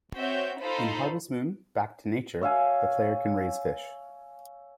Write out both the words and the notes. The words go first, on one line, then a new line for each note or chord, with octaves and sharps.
In "Harvest Moon: Back to Nature" the player can raise fish.
C4 F#4 C#5 E5 G6
D#4 F4 A4 C5 B5
C#5 E5 F5 G#5